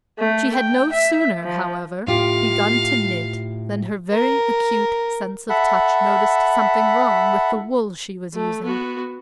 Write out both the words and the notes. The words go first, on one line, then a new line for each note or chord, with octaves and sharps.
She had no sooner, however, begun to knit than her very acute sense of touch noticed something wrong with the wool she was using.
A3
G5
E5
F3
A2 F4 G4 F5
A#4
A4 E5 F#5 B5
A3
B3 F#4